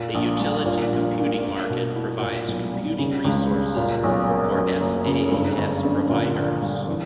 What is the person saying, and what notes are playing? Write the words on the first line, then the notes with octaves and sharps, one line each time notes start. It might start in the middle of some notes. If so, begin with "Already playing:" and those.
The utility computing market provides computing resources for SaaS providers.
Already playing: A#2
A#1
G3
A#2
A#1
A#3
A#3
B2
E4
A#2
B1
G3
C#3
C#2
G3
A#2
B1
A#3
F#2
F#1
C#3
G2
G1
D3
A#2
A#1
G3
E3